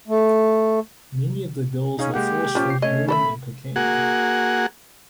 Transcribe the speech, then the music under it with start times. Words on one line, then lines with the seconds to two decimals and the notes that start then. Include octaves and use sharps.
Many of the girls were force-fed heroin or cocaine.
0.08 A3
1.99 C#4 D#4 G#4 F5
2.14 G#3 A#3 G4 F#5
2.55 A#2 F3 C#4
2.70 C7
2.82 A3 C#4 C#5 D#5
3.08 A4 C#5 E5 B5
3.76 A#3 F#4 G#4 F#5